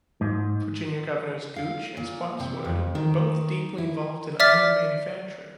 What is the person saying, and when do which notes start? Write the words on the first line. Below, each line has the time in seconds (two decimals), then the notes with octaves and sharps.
Virginia Governors Gooch and Spotswood were both deeply involved in iron manufacture.
0.21 G#2
1.56 F5
1.97 A#2
2.40 C3
2.65 F2
2.95 D#3
3.78 E4
4.40 D5 E5 D6 F6 A6 B6